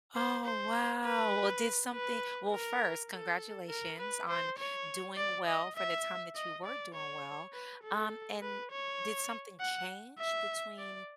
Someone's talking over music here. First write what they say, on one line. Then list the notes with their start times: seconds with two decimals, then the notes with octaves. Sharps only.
Oh, wow, well, did something well, first, congratulations on doing well for the time that you were doing well, um, and did something change between
0.15 C5
0.45 C5
1.04 B4
1.93 B4
2.52 A#4
3.11 A4
3.70 A#4
3.99 B4
4.29 C5
4.59 C#5
5.17 D5
5.47 D#5
5.76 E5
6.35 D#5
6.65 D5
6.94 C#5
7.53 B4
7.83 A4
8.42 B4
8.72 C#5
9.60 F#5
10.19 E5
10.78 D5